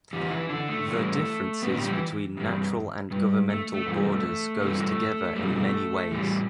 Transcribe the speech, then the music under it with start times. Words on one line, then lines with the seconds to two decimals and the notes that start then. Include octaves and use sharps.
The differences between natural and governmental borders goes together in many ways.
0.13 E2 E3 G4
0.30 E3 E4
0.49 D3 D4
0.68 A3
0.86 A2 E3 G3
1.62 A2 G3 B3
1.71 D3 D4
1.80 G3 G4
1.89 E3 E4
2.37 G2 E3 G3
3.11 G2 G3
3.50 A3
3.74 A3
3.86 G2 E3 G3
4.61 G2 E3 G3 A3
5.36 E2 B2 G3 A3
6.11 A2 E3 G3